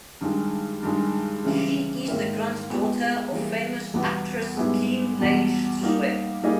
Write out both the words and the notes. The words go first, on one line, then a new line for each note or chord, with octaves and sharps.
She is the granddaughter of famous actress Khin Lay Swe.
G2 D#3 G#3
G2 D#3 G#3
C#3 E3 G3
G#2 D#3 A#3 E4 A#4
A#2 G#3 B3 G4
E3 G3 A#3 E4 G#4
E2 B2 G3 B3
G#2 G3 B3 E4 G#4
E2 B2 G3
G3 A#3 D#4
G3 A#3 D#4 G#4 D#5